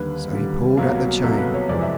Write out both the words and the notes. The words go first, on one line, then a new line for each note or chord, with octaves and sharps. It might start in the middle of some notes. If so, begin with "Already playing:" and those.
So he pulled at the chain.
Already playing: D#2 D3 G3 B4
D#2 D3 G3
C2 B2 F#3 A#3
C2 B2 F#3 A#3 A4
B4
C#5
F2 C3 E3 G#3 D5
E5